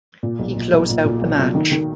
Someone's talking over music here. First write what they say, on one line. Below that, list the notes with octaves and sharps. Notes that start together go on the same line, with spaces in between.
He closed out the match.
A#2
B1
A#2
B1
A#2
A#2
B1
B1
D#3
D#3